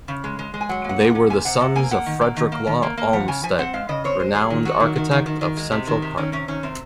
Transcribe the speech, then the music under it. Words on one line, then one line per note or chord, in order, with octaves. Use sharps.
They were the sons of Frederick Law Olmsted, renowned architect of Central Park.
C#3
G#3
G#3
G#3
G#5
F#3 F#5
A#3 F#5
A#3
F#5
A#3
C3 G#5
C3 F#5
C3 F#5
A#3 G#5
A#3 F#5
D#3
A#3
D#3
A#3
D#3
A#3
A#3
F3 F#5
C#3 G#5
F3 G#5
C4 F#5
G#3 F5
C#3 D#5
C4 C#5
G#3 C5
F#3 G#4
D#3
F#3 F#4
D#3
D#3
D#3
D#3
D#3
G#3
C3
D#3
C3
D#3 C#4
C3 C#4
D#3 C#4
C3 C4